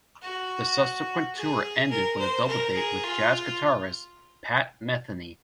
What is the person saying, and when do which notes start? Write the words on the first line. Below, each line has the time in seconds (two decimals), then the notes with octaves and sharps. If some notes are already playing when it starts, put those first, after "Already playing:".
The subsequent tour ended with a double date with Jazz guitarist Pat Metheny.
0.22 F#4
1.35 G#4
1.91 A#4
2.19 C5
2.48 A#4
2.76 G#4
3.04 F4